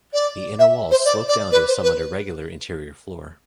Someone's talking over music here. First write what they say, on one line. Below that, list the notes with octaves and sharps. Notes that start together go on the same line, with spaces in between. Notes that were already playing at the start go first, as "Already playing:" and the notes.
The inner walls slope down to a somewhat irregular interior floor.
D5
E5
C5
D5
D5
B4
C5
B4